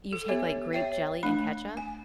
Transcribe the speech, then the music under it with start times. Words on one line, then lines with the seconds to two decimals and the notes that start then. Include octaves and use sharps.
you take, like, grape jelly and ketchup
0.13 A4
0.28 B3 G4 C#5 E5
0.73 C#5 E5 G5
1.23 A3 D4 B5
1.77 G#5